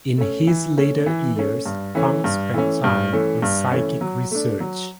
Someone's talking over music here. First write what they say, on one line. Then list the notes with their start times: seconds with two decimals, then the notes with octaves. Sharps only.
In his later years, Funk spent time on psychic research.
0.18 A3 C#4
0.47 E3
0.77 A3 C#4
1.06 E3
1.36 A3 C#4
1.66 G2
1.95 E3 A3 C#4
2.24 G2
2.54 E3 A3 C#4
2.84 G2
3.13 E3 A3 C#4
3.42 G2
3.71 E3 A3 C#4
4.01 F#3
4.31 A3 D4
4.60 F#3